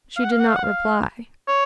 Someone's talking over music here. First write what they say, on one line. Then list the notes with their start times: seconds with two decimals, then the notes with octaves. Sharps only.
She did not reply.
0.16 F5
0.24 F#5
0.32 F5
0.40 F#5
0.48 F5
0.56 F#5
0.64 F5
1.48 C#5